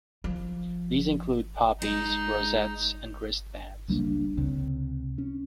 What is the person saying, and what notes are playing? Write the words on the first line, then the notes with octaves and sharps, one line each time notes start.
These include poppies, rosettes and wristbands.
F3
G#3 D#4
C#2 G3 A#3 D4
C#2 C3
C#4